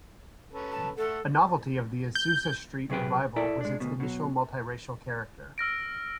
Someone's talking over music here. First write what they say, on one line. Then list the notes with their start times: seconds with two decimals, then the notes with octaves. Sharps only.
A novelty of the Azusa Street Revival was its initial multiracial character.
0.53 C#4 A4 B4
0.72 A5
0.97 A3 A4 F#5
2.15 G6
2.90 C3 F#3 G#4 B4 G5
3.36 E4 A4 D5
3.61 G#3 D4
3.80 D2 G#2 B2
4.00 B2 F#3
5.58 E6 F6 A#6 D7